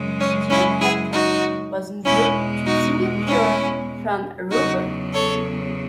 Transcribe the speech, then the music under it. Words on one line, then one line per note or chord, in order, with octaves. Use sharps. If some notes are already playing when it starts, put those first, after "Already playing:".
"Aegean Captain" was en route to Singapore from Aruba.
Already playing: F#2 C#3 G#3
C#4
C#4 E4
E4 G#4
D#4 F#4
E2 B2 G#3 C#4 E4
D#4 F#4
C#4 E4
E2 C#3 F#3 D#4 F#4
A4 C#5